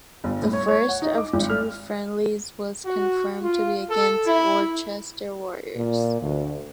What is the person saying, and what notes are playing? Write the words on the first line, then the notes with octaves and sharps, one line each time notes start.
The first of two friendlies was confirmed to be against Worcester Warriors.
G1
A2
C#5
C#5
F#5
D#4
D6
G#1
F6
F#4
F4
A4
E4
A#2
D2